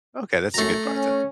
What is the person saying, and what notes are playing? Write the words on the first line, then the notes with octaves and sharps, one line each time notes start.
Okay, that's a good part then,
F#2 A3 A#5
C#4